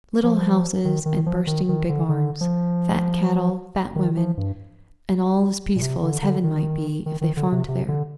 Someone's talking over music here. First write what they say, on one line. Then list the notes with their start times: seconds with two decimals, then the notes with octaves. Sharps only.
Little houses and bursting big barns, fat cattle, fat women, and all as peaceful as Heaven might be if they farmed there.
0.23 F3
0.85 D#3
1.06 D#3
1.26 F3
1.47 D#3
1.69 D#3
1.89 D3
2.09 D3
2.41 F3
3.96 D#3
4.17 F3
4.37 G2
5.76 A#2
5.82 C3
6.03 D3
6.23 D3
6.44 D#3
7.06 D#3
7.21 D#3
7.37 D3
7.52 C3
7.68 C3
7.88 D3